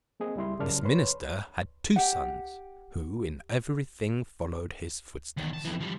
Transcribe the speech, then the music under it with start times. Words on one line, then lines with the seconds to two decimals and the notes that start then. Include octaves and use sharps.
This minister had two sons, who in every thing followed his footsteps.
0.20 A#3 C4 G#4 D#5
0.35 C#2 G3 E4 C6
0.59 C#3 F#3 A#4 D5 A5 F6
0.85 B4 C#5 C6
1.96 G4 F#5
5.37 E2 D#3
5.53 A5
5.65 F2 E3
5.81 F3 G3